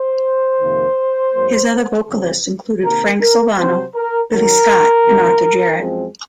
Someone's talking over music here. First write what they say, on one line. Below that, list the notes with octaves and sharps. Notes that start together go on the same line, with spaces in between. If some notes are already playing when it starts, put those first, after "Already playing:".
His other vocalists included Frank Sylvano, Billy Scott, and Arthur Jarrett.
Already playing: C5
F2 C3 D#3 A#3
G#2 F#3 A#3
F2 C#3 F#3 C4
C3 D#3 A#3 A#4
A#4
C3 F#3 C4 C5
A#4
F#2 D#3 F#3 A#4
F#2 D#3 A#3
F#2 F3 G#3 C4